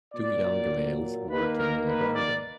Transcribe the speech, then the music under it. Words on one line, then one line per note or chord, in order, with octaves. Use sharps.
Two young males working in a garden.
A#2 F#3 A#3 D5
D#3 A#3 B4
A#4
B4
D5